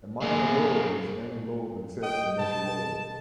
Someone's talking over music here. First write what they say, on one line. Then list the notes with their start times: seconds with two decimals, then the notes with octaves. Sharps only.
A minor lobe is any lobe except a major lobe.
0.22 A#3 G#4
2.02 D#5 G5
2.39 B2 A5